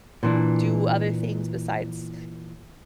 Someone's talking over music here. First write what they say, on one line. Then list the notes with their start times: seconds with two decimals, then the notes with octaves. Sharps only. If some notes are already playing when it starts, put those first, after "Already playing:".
do other things besides
0.23 A#2 E3 D4